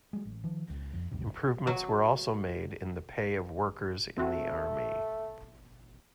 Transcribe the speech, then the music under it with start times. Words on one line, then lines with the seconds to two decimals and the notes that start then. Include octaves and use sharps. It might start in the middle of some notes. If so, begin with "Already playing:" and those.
Improvements were also made in the pay of workers in the Army.
0.13 F#3 G#3
0.25 A1
0.43 D#3 F3
0.69 C#2
0.93 F2
1.11 F#1 D2 G2 C3
1.67 F#3
4.18 A3 C4 F#4